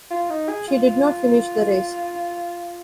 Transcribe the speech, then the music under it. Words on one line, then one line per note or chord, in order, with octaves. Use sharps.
She did not finish the race.
F4
D#4
G#4
F4